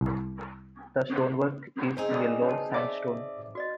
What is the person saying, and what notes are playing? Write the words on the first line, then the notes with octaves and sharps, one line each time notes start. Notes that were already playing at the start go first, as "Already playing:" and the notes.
The stone work is yellow sandstone.
C2
C4 D#4 G#4 C5
D5 D#6
C#5 A5
C#5 D5 E5 D6
F#4 D5 D#5